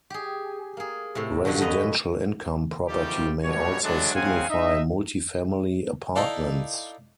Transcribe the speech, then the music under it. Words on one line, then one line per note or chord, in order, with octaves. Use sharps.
Residential income property may also signify multifamily apartments.
G4 G#4
A#3 G#4
A2 C3
G2 D3 F3 F#3
F#2 B4 D#5 A#5
F#1 D2 D#3 F3 G3 G4
A#1 F#2 B2 G3 C#5
D3 F#3 G#3 A3 B3 D4
D#2 C#3 C4 F5 F#5 G#5
D#4 D#5 E5
D#4 E4 A4 D5 F5